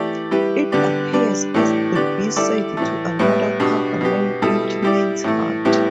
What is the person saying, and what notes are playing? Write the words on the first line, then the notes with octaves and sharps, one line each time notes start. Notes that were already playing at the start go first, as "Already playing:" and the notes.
It appears as the B-side to another cover, Nine Inch Nails' "Hurt".
Already playing: E3 A3 G4 D5
G3 E4 G4 B4
D3 G3 B3 G4 D5
G3 D4 B4 D5
A2 E3 A3 G4 D5
D3 B3 G4 D5
G3 E4 A4 D5
A2 E3 A3
A2 G3 B3 E4 B4
B2 B3 D4 G4
B2 B3 G4
B2 G3 E4 A4
G3 E4 G4 D5
A2 E3 A3
A2 G3 B3 E4 G4